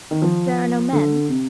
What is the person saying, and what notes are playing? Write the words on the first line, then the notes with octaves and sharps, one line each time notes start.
"There are no men?"
D#3
F3
D3
C3